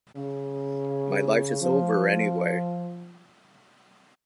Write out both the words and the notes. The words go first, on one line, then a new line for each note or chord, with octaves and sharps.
My life is over anyway.
C#3
F3